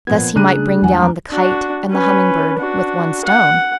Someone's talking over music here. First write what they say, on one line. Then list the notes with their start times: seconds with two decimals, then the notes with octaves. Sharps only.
Thus he might bring down the kite and the humming-bird with one stone.
0.07 A#2 F3 B3 G#6
0.35 C#3 G3 A3 D4 G#4 A#5 F#6 D#7
0.82 E2 E3 F#3 G#3 F#5 G#5
0.98 F2 A#5 D6
1.30 D4 F#4
1.91 C#4 B4
2.59 D4 F#4
3.25 F#5